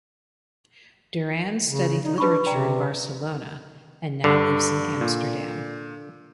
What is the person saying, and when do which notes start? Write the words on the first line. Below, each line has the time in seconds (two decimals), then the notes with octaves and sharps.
Duran studied literature in Barcelona and now lives in Amsterdam.
1.66 C#3
2.04 D#4 D5
2.18 D4 B4 B5 C#6
2.46 C3 D5 G5 A#5
4.24 G2 D3
5.01 A#2